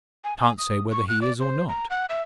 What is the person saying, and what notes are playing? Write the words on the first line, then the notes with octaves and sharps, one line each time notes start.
"Can't say whether he is, or not."
G#5
G#5
D#6
C#6
F#6
D5
C5
A#5
F#5
E5